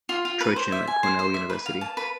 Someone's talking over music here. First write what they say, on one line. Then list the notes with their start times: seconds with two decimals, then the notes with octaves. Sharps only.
Trochim at Cornell University.
0.09 F4
0.25 F4
0.41 B4
0.56 C5
0.72 E5
0.87 G#5
1.03 C5
1.19 C5
1.34 E5
1.50 B4
1.66 F5
1.81 A5
1.97 B4